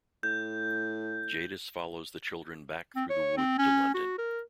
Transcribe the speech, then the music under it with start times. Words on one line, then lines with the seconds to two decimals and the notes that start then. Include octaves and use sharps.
Jadis follows the children back through the Wood to London.
0.23 A2 G6
2.96 C4
3.10 C#5
3.37 C4
3.58 C#4
3.94 F#4
4.18 A#4